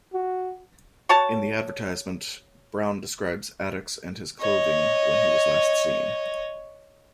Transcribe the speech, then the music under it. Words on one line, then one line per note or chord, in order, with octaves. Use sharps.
In the advertisement, Brown describes Attucks and his clothing when he was last seen.
F#4
F#4 C#5 A5
C#5 D#5